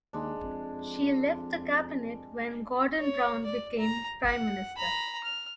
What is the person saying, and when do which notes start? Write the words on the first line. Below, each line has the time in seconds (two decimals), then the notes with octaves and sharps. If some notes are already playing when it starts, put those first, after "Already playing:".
She left the Cabinet when Gordon Brown became Prime Minister.
0.13 D#2 G#3 D4
0.43 F2
2.98 C#5
3.45 D5
3.78 A#5
4.24 F#5
4.76 A#5 B5
5.23 F6